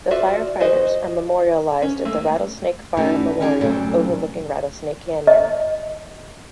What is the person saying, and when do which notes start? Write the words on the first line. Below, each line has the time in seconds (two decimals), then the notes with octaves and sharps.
The firefighters are memorialized at the Rattlesnake Fire Memorial overlooking Rattlesnake Canyon.
0.11 F4 F#4 D5 E5
0.60 F#4 C5 D#5
1.82 C#4
2.05 A3 A#3
2.97 A3 C#4 D#4 F#4 B4 D5
3.40 C#4 D#4 E4 G#4 C#5 D5
3.61 A#2 C#3 F#3 G3 A3 C4
5.27 D#5